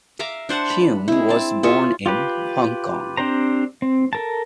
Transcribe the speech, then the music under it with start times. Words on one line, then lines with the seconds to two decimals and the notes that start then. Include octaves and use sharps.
Cheung was born in Hong Kong.
0.19 E5 F5 A#5 D6
0.49 D4 C5 F#5 A5
0.70 B5
1.08 G#3 E4
1.29 C4 A5
1.63 F4 G#4 C#5 E5
2.06 F4 G4 B4
3.17 C4 D4 G4 C5 A#5
3.82 C4
4.13 A4 A#4 A5